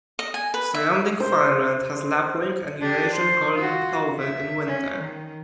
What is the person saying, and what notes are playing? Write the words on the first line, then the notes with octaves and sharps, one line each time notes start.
Surrounding farmland has lapwing and Eurasian golden plover in winter.
D#5
G#5
B4
E5
C5
D4 G4
C5
F4 F#4
E5
C#4
D#3